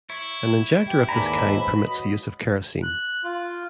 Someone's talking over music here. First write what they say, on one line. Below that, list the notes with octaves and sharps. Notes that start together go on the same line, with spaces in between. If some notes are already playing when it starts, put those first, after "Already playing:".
An injector of this kind permits the use of kerosene.
E4 C#5
G4 G5
D#2 G#2 D4 B4 G#5 A#5 B5
F#3 D#5
F#6
F4